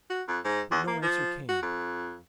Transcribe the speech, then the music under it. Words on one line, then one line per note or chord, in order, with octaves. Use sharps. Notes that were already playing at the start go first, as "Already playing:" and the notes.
But no answer came.
F#4
F2
G#2
E2
A#3
F3
F#4
F2